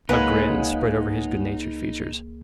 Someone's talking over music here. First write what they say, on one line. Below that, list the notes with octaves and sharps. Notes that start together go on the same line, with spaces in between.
A grin spread over his good-natured features.
C#2 F#3 G#3 A#3 D#4 F4 G#4 B4